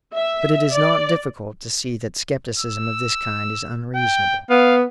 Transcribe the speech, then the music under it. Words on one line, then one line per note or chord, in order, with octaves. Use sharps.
But it is not difficult to see that scepticism of this kind is unreasonable.
E5
D5
E6
G5
B3 F5